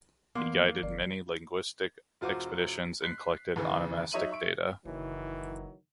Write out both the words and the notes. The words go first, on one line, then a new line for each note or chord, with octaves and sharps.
He guided many linguistic expeditions and collected onomastic data.
E3 A#3 B3 C6 D6
G1 D5
E1 F4 F#4 C5 D6
F#6 B6 C7
D#2 C#3 E3
F#3 D#4 C#5 E5 D#7 F#7
E5 C#6 D7
F#1 D#3 E3 F#3